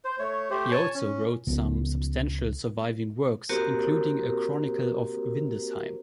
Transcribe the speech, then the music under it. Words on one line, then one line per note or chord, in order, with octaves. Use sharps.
He also wrote some substantial surviving works, including a chronicle of Windesheim.
C5
A3 C#5
A3 G4 C5
C#5 G#5 A5
C#4
C#2 A#2 F3 B3
A#3 C4 F#4 G4 A#4 C5